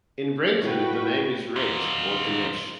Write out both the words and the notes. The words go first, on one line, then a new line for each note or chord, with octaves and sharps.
In Breton, the name is "reg" or "delech".
A2 F#4 B4 G5
D#4 F4